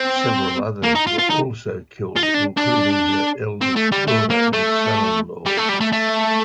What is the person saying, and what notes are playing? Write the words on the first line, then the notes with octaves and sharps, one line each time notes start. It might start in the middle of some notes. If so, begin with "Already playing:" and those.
Several others were also killed, including her eldest daughter and son-in-law.
Already playing: C4
A#3
D#4
F4
F4
D#4
F4
D#4
D4
D4
C4
A3
G3
A3
A#3
A3
G3
A3
G3
A3
A3